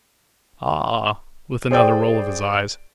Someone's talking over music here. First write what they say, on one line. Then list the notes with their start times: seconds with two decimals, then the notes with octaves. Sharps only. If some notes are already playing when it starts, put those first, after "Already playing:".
'Ah!' with another roll of his eyes.
1.71 G#4 C5 D5 G5